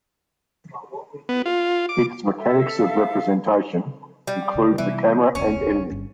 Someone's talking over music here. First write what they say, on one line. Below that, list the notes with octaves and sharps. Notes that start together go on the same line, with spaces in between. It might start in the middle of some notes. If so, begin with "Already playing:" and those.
Its mechanics of representation include the camera and editing.
B3
F4
D6
A4 E5
F5
G3
D2 C#3
C3 E3 G3 B3
E1 C#2 B3 C#4
G1 G2 C#4